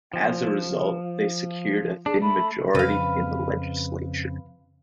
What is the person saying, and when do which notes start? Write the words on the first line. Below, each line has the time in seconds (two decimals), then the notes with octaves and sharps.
As a result, they secured a thin majority in the legislature.
0.14 F3
2.06 D4 G#4
2.22 A3 B5
2.75 F2 C#3 B4 F5